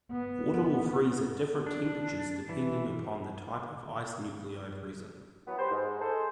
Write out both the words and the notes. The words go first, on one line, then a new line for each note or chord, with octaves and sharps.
Water will freeze at different temperatures depending upon the type of ice nuclei present.
B3
D4
E3
E3 F#3 B3
G4 B4 C5
G#2
G#4 A4 C5